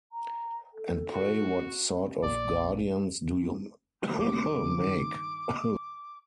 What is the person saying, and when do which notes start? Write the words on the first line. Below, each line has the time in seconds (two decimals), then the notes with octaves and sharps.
And pray what sort of guardians do you make?
0.12 A#5
0.73 A4
1.12 F#4
2.23 A#1 A#2 D5
4.18 E1 F#3 G3 D6
4.79 G2 D#3